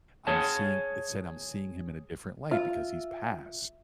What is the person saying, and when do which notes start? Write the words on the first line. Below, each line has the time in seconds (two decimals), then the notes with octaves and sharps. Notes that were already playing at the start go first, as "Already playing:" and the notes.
I'm seeing it said, I'm seeing him in a different light because he's passed.
0.27 G#4 C#5 A5
2.51 F4 E5